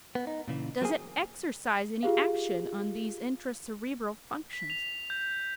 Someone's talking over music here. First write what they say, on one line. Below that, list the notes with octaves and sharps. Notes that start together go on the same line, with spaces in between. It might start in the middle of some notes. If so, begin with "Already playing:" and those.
Does it exercise any action on these intra-cerebral functions?
B3
D#4
A#2 C#3 E3
F#3 A#3 C4 G#4
F4 G4 G#4 F5
B6
F7
G6